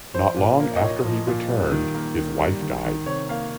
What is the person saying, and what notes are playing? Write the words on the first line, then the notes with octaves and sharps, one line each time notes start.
Not long after he returned, his wife died.
F3 C5
A#2
A#3
D#5
A#2 C#5
F3
A#2
G3
D#3
A#3
D#3
G3
D#3
D#3
C3 C#5
A#3 F5